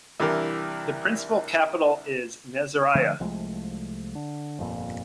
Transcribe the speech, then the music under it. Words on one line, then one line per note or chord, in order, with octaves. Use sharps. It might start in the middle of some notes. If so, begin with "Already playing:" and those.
The provincial capital is Nasiriyah.
C2 E3 D4 G4 A#4
D3 F3 A3
C2 F3 G#3 A3
D3
G1 F2 A#2